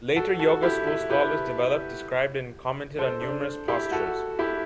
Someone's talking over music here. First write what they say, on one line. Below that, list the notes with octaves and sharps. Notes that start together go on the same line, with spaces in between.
Later yoga school scholars developed, described and commented on numerous postures.
F#4 A4
F#4 A4
E4 G4
E4
G4 B4
A4 C5
D4
E4 G4
F#4 A4
E4 G4